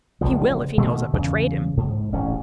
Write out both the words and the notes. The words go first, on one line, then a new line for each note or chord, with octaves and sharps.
"He will, if he knows I've betrayed him."
E1 D2 C#3 F3
B2 D3 D#3 A3
E2 C#3
G#2
D1 A1 G#2 C#4